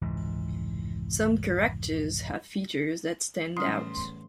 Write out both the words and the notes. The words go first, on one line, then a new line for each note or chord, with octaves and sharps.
Some characters have features that stand out.
F1 C#2 G#2 E3
E2 A2 F#3 G3 C#4 C6 D#6 F6